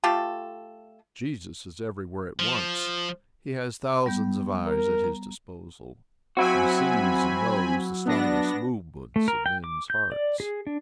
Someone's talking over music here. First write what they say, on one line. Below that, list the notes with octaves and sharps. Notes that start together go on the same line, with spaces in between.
Jesus is everywhere at once; He has thousands of eyes at His disposal; He sees and knows the slightest movements of men's hearts.
A3 F4 G4 A4
F3
G3 B3 G6
A#4
A#5
F#3 C4 E4 F#4 G#5 B5
B3 D4 A#6
A3
A#4
G5
D6
G6
D5
G#4
D4